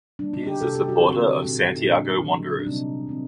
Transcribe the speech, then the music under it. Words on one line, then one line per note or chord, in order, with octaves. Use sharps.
He is supporter of Santiago Wanderers.
D#3 G3 A#3 D4
D#4
G4
C3 D#3 A3 A4
G4
F#4
D3 A3 C4
A#2 A3 C4
D#4
A#2 G3 A#3 D4
A#2 F#3 A#3
D4
C3 G3 C4 D#4
D#3 A3 C4